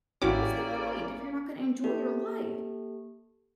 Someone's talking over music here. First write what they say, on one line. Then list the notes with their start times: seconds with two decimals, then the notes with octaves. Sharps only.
what's the point if you're not gonna enjoy your life?
0.22 A1 A#3 C#4 E4 F#4 G4 D5 D6
1.84 A#3 G4 A4